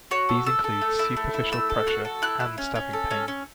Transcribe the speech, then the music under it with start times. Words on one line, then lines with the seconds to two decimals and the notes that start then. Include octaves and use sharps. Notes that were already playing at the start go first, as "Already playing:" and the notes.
These include superficial pressure and stabbing pain.
0.11 F#4 C#5
0.29 A4
0.46 A4 E6
0.64 A4
0.81 A3
0.99 E4
1.17 A3
1.34 E4
1.52 A3 E6
1.70 A4
1.87 F#4 F#6
2.05 A4
2.22 E4 F#6
2.40 E4
2.58 C#4
2.75 C#4
2.93 A4
3.11 C#4
3.28 C#4